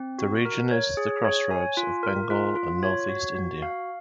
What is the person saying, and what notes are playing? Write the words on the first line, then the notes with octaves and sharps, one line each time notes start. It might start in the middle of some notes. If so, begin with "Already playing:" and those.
The region is the crossroads of Bengal and northeast India.
Already playing: C4
F#4
A#4
C#5
G#4
C#5
G#5
F4
A#4
F4
F4
C#5
F#4
F#4
F5